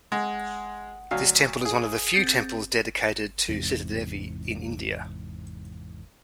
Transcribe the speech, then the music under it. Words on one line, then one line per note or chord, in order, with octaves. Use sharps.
This temple is one of the few temples dedicated to Sitadevi in India.
G#3 F#5
D2 F#3 F5
G#4 F5
C4 G6 A6
E2 G#2 C3